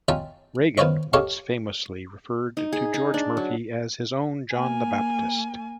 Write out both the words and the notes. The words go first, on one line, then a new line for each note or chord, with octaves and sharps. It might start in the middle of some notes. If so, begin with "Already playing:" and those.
Reagan once famously referred to George Murphy as his own "John the Baptist".
C#4 D#4 F4 E5 G5 A5
D#3 B3 F4 C5 C#5 D#5
G4 A4 C#5 D#5 F5 C#6
D#4
G#4
D#4
D4
F#3
A#3 G#5